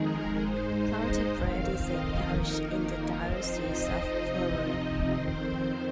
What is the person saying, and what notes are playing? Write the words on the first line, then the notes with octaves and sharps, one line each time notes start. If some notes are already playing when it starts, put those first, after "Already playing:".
Clontibret is a parish in the Diocese of Clogher.
Already playing: F2 D#3 G#3 D#4 G#4 A#4
G#2 G#3 D#4 C5
D#5
F2 D#3 C4 F5
D#5
F2 D#3 A#3 D#4 A#4
A#4
F2 F3 C4 D#4 C5
D#5
C3 F3 C4 D#4
F2 D#3 C4 C5